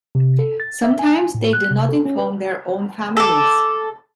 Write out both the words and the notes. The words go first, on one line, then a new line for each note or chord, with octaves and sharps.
Sometimes they do not inform their own families.
C3
A4
A6
E5
G#5
A2
F#6
C3
A4
C#4
B4
A4 D6